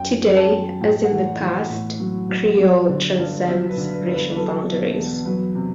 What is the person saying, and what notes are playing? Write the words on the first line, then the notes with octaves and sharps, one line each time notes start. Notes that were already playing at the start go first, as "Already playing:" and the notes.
Today, as in the past, Creole transcends racial boundaries.
Already playing: F#2 G5
F#3
A5
F#3
A2 G5
F#5
E3
E3
F#5
A2
F#3
F#3
F#3
D3
G2
F#3 E5
B4
D3
B4
G2
B4
B4
F#3 A4
B2
E2
F#3 B4
C3